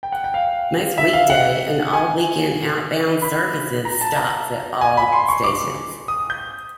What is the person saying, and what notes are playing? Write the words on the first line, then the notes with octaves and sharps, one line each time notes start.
Most weekday and all weekend outbound services stops at all stations.
G5
F#5
G5
F5
E5
F5
F#5
G#5
B5
A#5
A5
A#5
G#5
B5
C6
C#6
D6
D#6
G6